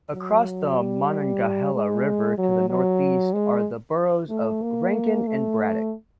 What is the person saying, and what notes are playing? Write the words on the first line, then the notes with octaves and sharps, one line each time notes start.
Across the Monongahela River to the northeast are the boroughs of Rankin and Braddock.
F#3
G3
G#3
F#3
F#3
G#3
A3
A#3
A3